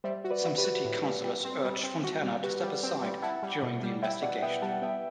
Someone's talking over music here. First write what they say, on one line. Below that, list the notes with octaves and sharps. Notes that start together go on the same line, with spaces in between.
Some city councillors urged Fontana to step aside during the investigation.
G3 C5 E5
F#4
B4 D5
F#4
G4 B4
F#4
A2
G3
G3
C4
G3
C4
F#4
G3
F#4 G4 B4
G3
C4
G3
E4 F#5 A5
G3
B2
G3
E4 E5 G5
B2 D5 F#5
B3 E5 G5
G3 F#5 A5
B3 E5 G5